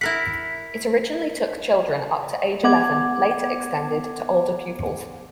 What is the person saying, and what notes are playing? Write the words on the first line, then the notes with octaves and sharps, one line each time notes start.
It originally took children up to age eleven, later extended to older pupils.
E4 A#4 F#5 B6
B3 F#5 D6 G#6